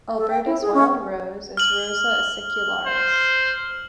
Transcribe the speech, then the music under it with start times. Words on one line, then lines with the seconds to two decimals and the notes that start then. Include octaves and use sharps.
Alberta's "wild rose" is "Rosa acicularis".
0.18 A4
0.30 G5
0.46 E4
0.61 G#4
0.74 C#4
1.57 F6 F#7
2.87 C5